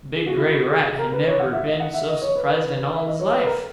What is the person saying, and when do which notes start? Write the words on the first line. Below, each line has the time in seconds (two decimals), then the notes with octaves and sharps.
The big grey rat had never been so surprised in all his life.
0.16 G#4
0.26 F#4
0.37 E4
0.47 F#4
0.71 G#4
0.98 A#4
1.12 B4
1.26 C#5
1.40 F#5
1.53 E5
1.67 D#5
1.80 F#5
1.94 E5
2.08 D#5
2.22 C#5
2.36 B4
2.94 E5
3.07 D#5
3.20 C#5
3.32 B4
3.45 A#4